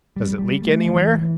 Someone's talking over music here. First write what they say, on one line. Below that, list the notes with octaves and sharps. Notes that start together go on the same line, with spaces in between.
"Does it leak anywhere?"
G3
G3
A3
E3
E3